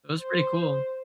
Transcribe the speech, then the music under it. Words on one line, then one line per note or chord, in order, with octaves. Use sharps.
It was pretty cool.
C5